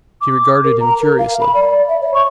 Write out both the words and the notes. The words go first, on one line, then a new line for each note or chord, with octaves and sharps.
She regarded him curiously.
D6
A#4
A#5
A#4
F5
B5
D5
E5
C#5
C#6